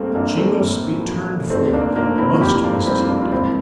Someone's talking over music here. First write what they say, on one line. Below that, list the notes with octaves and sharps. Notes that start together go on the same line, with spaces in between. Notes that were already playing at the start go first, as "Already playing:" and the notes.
And she must be turned for, must Mrs Higden.
Already playing: A#1 G3 A3 A#3 C4
A#1 A#3 D4
A3 C4
A2
F3
F1 A3 C4
A#3 D4
F1 A#3 D4
C4 E4
F2 E4 G4
D4 F4
G3 C4 E4
D4 F4
F4
E1 C4 E4